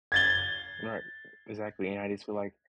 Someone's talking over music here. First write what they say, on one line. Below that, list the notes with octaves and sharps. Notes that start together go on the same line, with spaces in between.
Right, e exactly, and I just feel, like
G#6 A6 G7